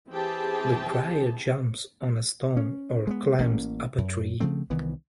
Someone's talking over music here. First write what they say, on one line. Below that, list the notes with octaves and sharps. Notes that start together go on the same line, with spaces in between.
The crier jumps on a stone or climbs up a tree.
E3 C4 G4 G#4 G5 A5
C#4
G#3 A#3 B3
A1 A#3 C#4
F#2
C#3 F3 A3 C4
C2 D#3 E3 B3